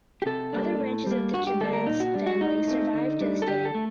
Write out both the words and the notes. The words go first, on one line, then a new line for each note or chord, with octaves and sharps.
Other branches of the Chabannes family survive to this day.
G4
C3 A4
G3 A#3 D4
A2
G3 A#3
G2 F#4
G4
D3 G3 A#3 D4 A4
A#4
A#2 D#4
F#4
G3 D4
F#4
A2 D#4
A3 C4
D3
G3 D4
A4
D3 G4
A4
A3